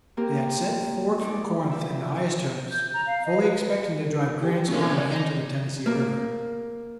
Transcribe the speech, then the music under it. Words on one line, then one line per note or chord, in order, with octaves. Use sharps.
They had set forth from Corinth in the highest hopes, fully expecting to drive Grant's army into the Tennessee River.
A#3 C4 G4 A#4
D#4 D5
F3 E5
G6
A#5
F5
D#5
B4
E3 G4
B1 B2 D3 A#3 C#4
G#6
D5
D#4
A#3